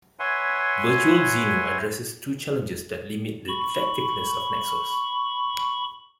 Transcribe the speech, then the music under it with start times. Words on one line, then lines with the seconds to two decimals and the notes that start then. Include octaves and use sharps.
Virtual Xinu addresses two challenges that limit the effectiveness of Nexos.
0.19 B4 C#5 E5 F#5 G#5 C6
3.48 B5 C#6